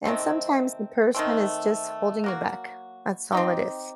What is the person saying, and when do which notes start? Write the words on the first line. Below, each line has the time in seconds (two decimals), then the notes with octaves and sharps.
And sometimes the person is just holding you back. That's all it is.
0.05 C3 D#3 A3 C4
1.15 D#3 A3 C4
2.24 F#3 A#3 F#4
3.32 C4 D#4 G4